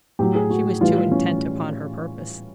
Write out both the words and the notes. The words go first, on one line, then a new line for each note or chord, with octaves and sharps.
She was too intent upon her purpose.
A2 F#3 G4
G#4
F#4
A2 E3 G3 F4
C#4